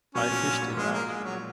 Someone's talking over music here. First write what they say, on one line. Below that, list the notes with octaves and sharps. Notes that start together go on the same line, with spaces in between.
I fished it out.
B1 B2 C#4
A#1 A#2
A#1 A#2
A#1 A#2
G#2
A#1 A#2 G#3
A#3
G#3
F#3